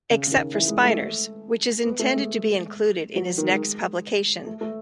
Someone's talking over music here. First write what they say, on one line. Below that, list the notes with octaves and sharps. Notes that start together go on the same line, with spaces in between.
Except for Spinors, which is intended to be included in his next publication.
C#3
C#3
D#3
E3
G#3
G#3
A3
B3
A3
G#3
F#3
D#3
G#3
A3
A3